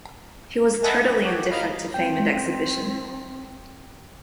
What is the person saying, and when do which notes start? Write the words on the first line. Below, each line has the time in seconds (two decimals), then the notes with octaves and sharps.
He was totally indifferent to fame and exhibition.
0.83 B4 D#5 E5 F#5 G#5 A5
1.00 E3
1.24 F#4 G4 C#5
1.51 D#5 F5 A#5 B5 F6
1.94 C4 G5